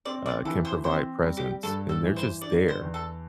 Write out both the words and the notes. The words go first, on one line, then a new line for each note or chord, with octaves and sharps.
uh, can provide presence and they're just there,
C4 D5
D5
E3 A4
C5
C4 C5
G3
G4
G2 A4
A4
E3
C5
D4 D5
C5
E2
A4